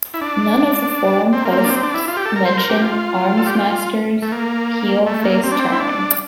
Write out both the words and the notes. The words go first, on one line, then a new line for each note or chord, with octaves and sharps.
None of the forum posts mention Armsmaster’s heel-face turn.
E4
D4
C4
A#3
C4
A#3
D4
C4
D4
E4
F4
G4
A4
A#4
C5
A#4
G4
F4
A4
G4
F4
A3
A#3
A3
A#3
C4
D4
C4
E4
D4